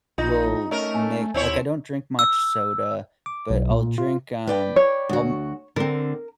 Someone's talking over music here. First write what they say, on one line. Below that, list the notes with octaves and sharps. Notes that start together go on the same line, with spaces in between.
will make like, I don't drink much soda, but, I'll drink, um, I'll m
A#1 D#4 F4 A#6
A3 C#4 A#4 D#5
G#5 A5
D#2 C4 E4 C#5
E6
D6
B1
A#2
F4
B4 D5 G5
C#5
D2 F#4
D3 C4 A#4